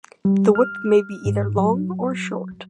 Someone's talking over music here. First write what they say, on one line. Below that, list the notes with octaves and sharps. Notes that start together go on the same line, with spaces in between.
The whip may be either long or short.
G3
F6
G#2
F#3